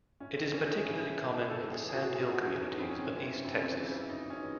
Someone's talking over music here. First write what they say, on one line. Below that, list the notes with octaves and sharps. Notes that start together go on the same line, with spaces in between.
It is particularly common in the sandhill communities of east Texas.
A2 C#4
C4
E3 C#4
G#4
A2 G#4
E3
A2 A4
G#4
E3
G#4
F#4
A2 G#4
F#4
E3 C#4
D#4
F#2 C4
C#4
C4
C#4
C#3 E3 C4
F#2 C4
C4
C#3 E3
F#2 D#4
C#4
C#3 E3